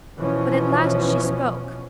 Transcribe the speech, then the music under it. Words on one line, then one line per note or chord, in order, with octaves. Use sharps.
But at last she spoke.
B2 E3 F3 C#4